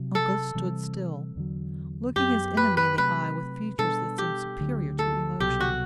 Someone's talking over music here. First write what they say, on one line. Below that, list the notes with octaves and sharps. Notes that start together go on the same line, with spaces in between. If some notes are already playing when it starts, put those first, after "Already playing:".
Uncas stood still, looking his enemy in the eye with features that seemed superior to emotion.
Already playing: C3 F#3 C4
A4
C3 E3 G3 C4
E2 D3 F#3
F#2 F#3 B3 G4
B4
B4
C3 F#3 A3 B4
B2 G3 D4 A4
G4
D2 D3 F#3
A4
C2 B2 F#3 G4
F#4